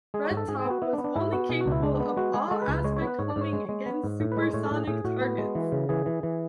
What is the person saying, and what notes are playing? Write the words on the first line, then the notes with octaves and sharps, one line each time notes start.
Red Top was only capable of all aspect homing against super-sonic targets.
G#3 G#4
C#5
G#2
A4
G#2 G#4
G#4
B3
F#4
B3 E4
D4
B3
D4
G#2 E4
B3 F#4
B2 G#4
F#4
C#2 D4
E4
G#3 D4
D4
B3
D4
G#3 F#4
G#3 G#4
G#3 A4
B4
C#2
B4
G#3 C#5
C#5
B3
B4
G#2 C#5
D5
G#2
C#5
G#3
G#3
B3
G#2
A2
B4
G#3
C#5
A2 C#5
A4
A2
G#4
A2 G#4
A2 F#4
B3
G#3
E3
C#3
E3 G#4
E3
E3